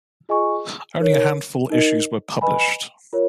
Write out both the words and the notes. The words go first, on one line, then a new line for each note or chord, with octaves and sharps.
Only a handful issues were published.
F4 G#4 D#5 G#5 C#6
D#4 A#4 C#5
D#4 A#4 D#5
B4 D#5 G#5 B5
F4 A#4 C#5